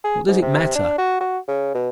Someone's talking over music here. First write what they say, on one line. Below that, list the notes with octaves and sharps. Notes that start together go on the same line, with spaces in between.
What does it matter?
G#4
G#2
C3
D4
F#4
F#4
C#3
B2